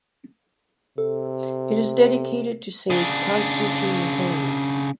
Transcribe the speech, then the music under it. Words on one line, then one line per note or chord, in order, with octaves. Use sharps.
It is dedicated to Saints Constantine and Helena.
C3 A4
C#3 D4